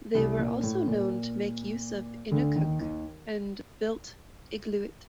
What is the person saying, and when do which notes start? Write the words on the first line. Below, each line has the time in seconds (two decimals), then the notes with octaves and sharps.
They were also known to make use of "inukhuk" and built "igluit".
0.14 C2 C3
0.39 A#2
0.63 A2
0.88 A#2
2.31 D2 D3
2.56 D#2 D#3
2.80 D#2 D#3